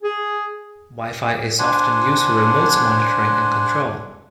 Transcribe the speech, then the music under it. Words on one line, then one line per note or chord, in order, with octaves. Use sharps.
Wi-Fi is often used for remote monitoring and control.
G#4
D4 C5 F#5 G#5